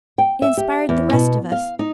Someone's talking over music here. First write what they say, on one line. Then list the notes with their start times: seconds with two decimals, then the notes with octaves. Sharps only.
It inspired the rest of us.
0.18 G5
0.42 E5
0.57 G4
0.89 E2
1.13 B2
1.52 F5
1.79 D#4